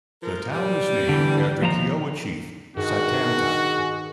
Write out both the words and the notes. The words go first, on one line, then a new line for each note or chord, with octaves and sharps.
The town is named after Kiowa Chief Satanta.
F3 A#4
G3
D3 E3
D#2 F3 A#5
G2 D#3 F#4 G#4